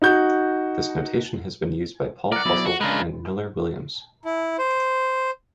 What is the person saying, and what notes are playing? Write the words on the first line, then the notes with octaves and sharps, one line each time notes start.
This notation has been used by Paul Fussell and Miller Williams.
D#4 F#4 G6
A#4 D5 F#5
F#3 B3 E4
F#4
C#3 G#3 D4 A#4 B4
E4
C5